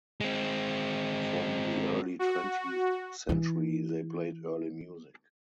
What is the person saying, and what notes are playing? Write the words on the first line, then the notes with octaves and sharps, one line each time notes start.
From the early twentieth century they played early music.
G#3 C4
F#4
E3 E4